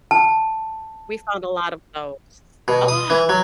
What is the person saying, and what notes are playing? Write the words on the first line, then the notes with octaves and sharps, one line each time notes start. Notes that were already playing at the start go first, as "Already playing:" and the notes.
We found a lot of those. Ah!
A5
B2
D#6
E3
F#3